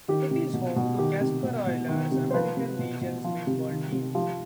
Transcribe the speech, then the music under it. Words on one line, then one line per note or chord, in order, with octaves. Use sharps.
It is home to the Casper Oilers American Legion Baseball team.
D#3 G4
C3
B2
B2
D#3 G4
C3
B2
B2
D#3
C3
C5
F3 B4
C3
B2
B2
F3
C3
D#3
C3
F3 G4